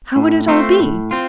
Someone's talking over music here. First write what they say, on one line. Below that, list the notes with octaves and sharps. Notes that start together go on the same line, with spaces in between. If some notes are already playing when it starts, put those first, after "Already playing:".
How would it all be?
A2
A3 C4 F4
A2
C4 F4